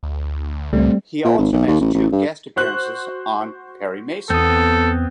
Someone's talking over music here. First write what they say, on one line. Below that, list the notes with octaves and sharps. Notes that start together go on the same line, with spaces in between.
He also made two guest appearances on "Perry Mason".
D2
C#2 A#2 G3 A3 C4
A#2
G#1
B1
D#2
A1
A1
G2
F#4 C5 F#6
E2 B3 C4 A4 D#6